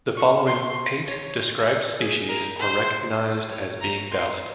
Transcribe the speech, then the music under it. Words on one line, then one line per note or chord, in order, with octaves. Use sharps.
The following eight described species are recognized as being valid.
C#6
C6
C#5
G#4
A#4
C5
C#5
A#5
C6